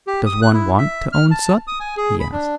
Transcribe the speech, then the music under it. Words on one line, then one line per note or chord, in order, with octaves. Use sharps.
"Does one want to own soot?" he asked.
G4
D#6
F#6
E4
E5
F6
A5
D#6
G#5
G#4
B5
D4